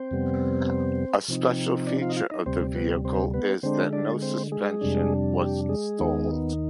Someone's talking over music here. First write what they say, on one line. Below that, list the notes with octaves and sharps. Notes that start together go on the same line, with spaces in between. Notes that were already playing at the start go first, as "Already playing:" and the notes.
A special feature of the vehicle is that no suspension was installed.
Already playing: C4 C5
F2 C3 G3 B3
C3 F3 C4 D#4
D4 D5
F4 F5
D#5
F4 F5
D#4 D#5
D2 C3 G3 C4 C5
B3 B4
C4 C5
B3 B4
D3 G#3 C4 D4 C5
D4 D5
C4 C5
G#3 G#4
F2 C3 G3 D4
G4
G#3 G#4
D#2 D#3 B3 D#4